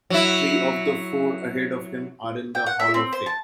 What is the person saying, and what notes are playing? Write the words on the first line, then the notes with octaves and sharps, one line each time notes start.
Three of the four ahead of him are in the Hall of Fame.
F#3 E4
G5
F#5
E5
C4
C5
A5